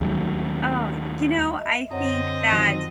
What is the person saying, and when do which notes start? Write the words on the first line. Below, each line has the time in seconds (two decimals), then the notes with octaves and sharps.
Oh, you know, I think that
0.01 D#2 F#3 G3 A3
1.58 D#5 E5
1.91 F#2 D3 C4 C#5 D#5 F#5
2.52 D#3 F3 F#3